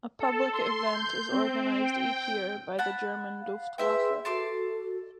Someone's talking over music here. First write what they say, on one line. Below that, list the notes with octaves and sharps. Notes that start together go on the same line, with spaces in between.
A public event is organized each year by the German Luftwaffe.
A4
C6
G6
C4
G5
F#5 A5 B5
F5
E4 G#4 B4 E5 G5 C6
F#4 A4 A5 C6 D6